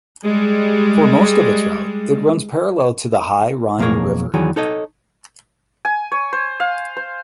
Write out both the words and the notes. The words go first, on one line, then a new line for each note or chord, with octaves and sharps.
For most of its route it runs parallel to the High Rhine river.
G3 G#3
B1 F2 A#3 G#4 A#4 C#5
E2 D#3 E3 F#3 G#4
D#4 A4 C#5 D#5
G#5
C#5
C5
F5
C5